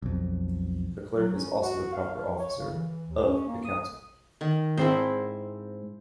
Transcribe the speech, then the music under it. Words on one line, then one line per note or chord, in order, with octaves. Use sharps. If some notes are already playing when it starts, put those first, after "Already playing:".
The clerk is also the "Proper Officer" of the Council.
B1 F2
F#3
C#4
F#4
F5
F3
C#5
C#3
E3
D#2
C#4
A#3
D#6
D#3
G#2 C4 E4 C5